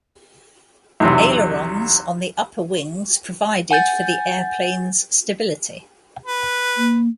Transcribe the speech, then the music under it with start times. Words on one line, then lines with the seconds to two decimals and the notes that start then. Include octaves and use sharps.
The ailerons on the upper wings provided for the airplane's stability.
1.00 B1 E2 C3
3.71 F#5 G#5 G6 A6
6.26 B4
6.77 A#3